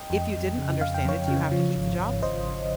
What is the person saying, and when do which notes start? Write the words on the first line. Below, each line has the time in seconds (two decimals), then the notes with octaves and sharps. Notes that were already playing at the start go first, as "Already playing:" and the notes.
if you didn't understand it, do you have to keep the job?
Already playing: D#5 G5
0.10 F2
0.34 F2
0.58 C#3
0.81 F2 F5
0.94 G5
1.05 F2 C#5 F5
1.28 C#3
1.51 F3
1.76 G#1
1.99 G#1
2.22 G#1 C5 D#5
2.46 G#1